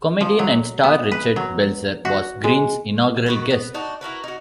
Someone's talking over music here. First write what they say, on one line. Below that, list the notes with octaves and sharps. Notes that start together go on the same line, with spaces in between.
Comedian and star Richard Belzer was Green's inaugural guest.
F3
F#3
B3
B4
F#3
F#4
G#3
D#3 F#4 B4
B3
D4 D#4 F#4
E4 F#4 A#4 B4
D#4 F#4